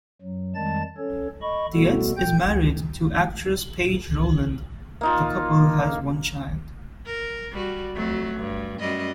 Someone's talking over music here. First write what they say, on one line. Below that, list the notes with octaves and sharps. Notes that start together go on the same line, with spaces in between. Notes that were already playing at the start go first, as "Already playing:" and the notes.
Dietz is married to actress Paige Rowland; the couple has one child.
F#2 F#3
F2 D#3 G3 G#3 A5 A6
C#4 A4 C#5
D#5 B5 C#6
B2 G3 A3 B3 F#4 A4
A#2 G5 G6
A#3 D#4 F4
A#4
G3 F#4
F2 F#3 A3
G2
F#2 G3 D#5